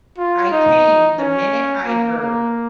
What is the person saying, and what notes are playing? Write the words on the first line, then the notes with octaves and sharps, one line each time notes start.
I came the minute I heard.
F4
D#4
C#4
A#3
A#3